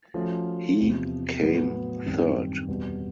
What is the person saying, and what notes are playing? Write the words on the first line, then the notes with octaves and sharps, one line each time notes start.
He came third.
F3 A3 C#4 F#4
E2 C3 F3
A2 F#3 B3
F#2 D#3 G3 C4
E2 B2 G3 B3